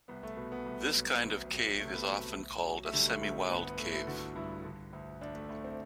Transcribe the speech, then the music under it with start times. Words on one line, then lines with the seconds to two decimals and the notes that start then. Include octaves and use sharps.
This kind of cave is often called a semi-wild cave.
0.08 C2 B3
0.23 A3
0.37 B2 B3
0.52 B3
0.66 C2
0.94 F#3
1.23 D2
1.51 F#3
1.80 C3 A3
1.94 B3
2.07 F#3 A3
2.36 D2
2.65 F#3
2.85 A3
2.93 D3 G3
3.08 A3
3.22 D2
3.50 G1 B3
3.64 B3
3.78 G1 A3
3.93 E4
4.07 D3 F#4
4.35 G2 E4
4.64 D3
4.93 D2
5.21 D2 D4
5.35 A3
5.49 D2 A3
5.64 C4